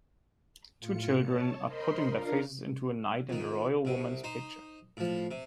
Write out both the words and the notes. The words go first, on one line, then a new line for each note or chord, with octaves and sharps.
Two children are putting their faces into a knight and royal woman 's picture.
A2 F4 C#7
C#5 A5
A#4 C5 D#5 B5 C6
D4 F4 A#4 F5 A#5
F2 D#3
C2 C3
D#4 C5
A2 F3
C3